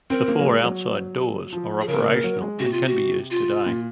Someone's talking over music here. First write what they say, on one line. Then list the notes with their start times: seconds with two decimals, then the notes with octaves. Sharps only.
The four outside doors are operational and can be used today.
0.10 C4 A#4
0.28 A#3
0.39 F#3
0.45 G#3
0.64 F#3
1.53 F3
1.81 G#4
1.88 C#3 A#4
1.97 A#2
2.06 C#3
2.15 A#3
2.24 F#3
2.42 G#3
2.59 C3 F#4
2.73 F4
2.87 F#4
3.31 F4
3.67 A#2